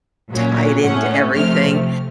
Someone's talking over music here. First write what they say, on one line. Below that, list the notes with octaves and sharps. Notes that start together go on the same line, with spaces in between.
tied into everything.
A#2 F#3 A#3 C#4
A2 A3 C#4 F#5
C3 F3 A3 C4 F6